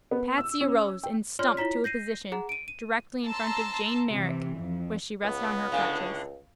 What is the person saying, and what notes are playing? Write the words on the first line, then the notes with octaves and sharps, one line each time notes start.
Patsy arose and stumped to a position directly in front of Jane Merrick, where she rested on her crutches.
B3
E6
C#4
G5
F4 C#5 D5 C6 F6
E4 F4 C#5 A#5 B6
G6 A#6 C7 D#7
G#4 F#5 A#5
D7 D#7
D#7
A5 A#5 C6 E6
C3 E3
F2
C#2 B3
A2 D3 F5 G#5